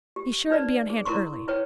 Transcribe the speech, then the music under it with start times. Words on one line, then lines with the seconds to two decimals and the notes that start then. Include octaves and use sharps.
"Be sure and be on hand early."
0.16 G4
0.50 D#4 B4 D5
0.90 G#4
1.05 E4 A#4 A#5 C6 C#6
1.48 E4 B4 C#5 G5